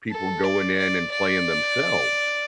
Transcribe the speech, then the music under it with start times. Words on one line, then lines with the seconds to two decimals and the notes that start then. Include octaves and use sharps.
people going in and playing themselves,
0.11 A4
0.44 D5
0.78 D5
1.12 D5